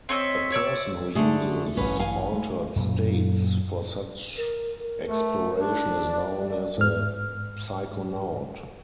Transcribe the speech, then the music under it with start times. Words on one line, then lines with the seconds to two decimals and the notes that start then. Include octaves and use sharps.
A person who uses altered states for such exploration is known as a psychonaut.
0.09 C4 C#5 D#5 E5
0.52 C#5 D5 E6
1.15 D3 A3 G#4
1.77 A1 G2 C#4 B4
1.99 F5 G#5
2.32 G#3 A3
2.76 F#2 A#2
4.37 A#4
4.82 A#4
5.07 A3
5.60 D4
6.04 D5
6.78 G#2 F6